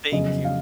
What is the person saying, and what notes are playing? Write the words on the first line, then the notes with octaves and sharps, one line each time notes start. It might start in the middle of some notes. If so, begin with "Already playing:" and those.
Thank you.
F2 C#3 F#3 B3 D#5
F5